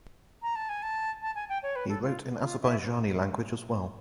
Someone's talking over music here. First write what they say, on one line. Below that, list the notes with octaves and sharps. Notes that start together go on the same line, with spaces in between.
He wrote in Azerbaijani language as well.
A#5
A5
G#5
A5
A5
G#5
G5
C#5
B4
A4
F4
F4
E4